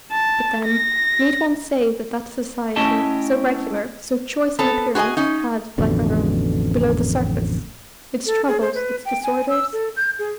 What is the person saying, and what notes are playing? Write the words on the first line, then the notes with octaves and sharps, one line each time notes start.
But then, need one say that that society, so regular, so choice in appearance, had, like our own, below the surface, its troubles, its disorders?
A5
A#6
A3 C#4 E4 G4 D#5 A5
B3 A4 A5
F#4 G#4 B4 D#5 G#5
C#4 D#4
A1 F2 B2 D3
A4
G#4
C5
B4
G5
G#5
E6
A4
G6
G#4